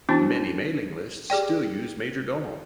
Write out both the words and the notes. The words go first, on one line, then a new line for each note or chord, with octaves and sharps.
Many mailing lists still use Majordomo.
E3 B3 C#4 D4 E4 F#4
G4 G#4 D5 G5